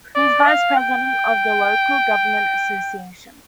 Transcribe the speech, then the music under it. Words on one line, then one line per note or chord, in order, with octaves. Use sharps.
He is Vice-President of the Local Government Association.
D5
F5
G5